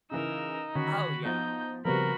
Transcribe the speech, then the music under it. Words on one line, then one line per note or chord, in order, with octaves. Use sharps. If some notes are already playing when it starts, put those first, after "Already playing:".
Oh yeah,
C#3 E3 D#4 A#4 E6
D3 D#3 C#4 F#4 B5
F3 B3 D#4 G6
C#3 F3 G3 B3 C4 F#4 A#4 B5